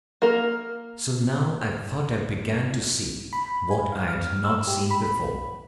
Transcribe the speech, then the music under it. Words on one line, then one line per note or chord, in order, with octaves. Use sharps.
So now I thought I began to see what I had not seen before.
A#3 A#4
B5
G#5
F5
F6
E6
G4
B5